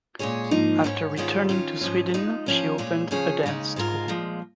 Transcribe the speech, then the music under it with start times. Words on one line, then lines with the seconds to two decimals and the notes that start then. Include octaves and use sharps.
After returning to Sweden, she opened a dance school.
0.19 A#2 G#3 C#4 G#4 C#5
0.51 G#2 F3 A#3 D#4
0.84 G#2 D#3 C#4
1.16 G#2 D#3 G#3 C#4 F4
1.49 D#3 C#4 F4
1.81 G#2 F3 C#4
2.14 F3 G#3 D#4
2.46 F3 C#4 A#4
2.78 A#2 G#3 C#4 G#4
3.11 C#3 F3 C#4 G#4 C#5
3.43 D#2 C#3 G#3 D#4
3.76 G#2 G#3 F4 A#4
4.08 A#2 F3 G#3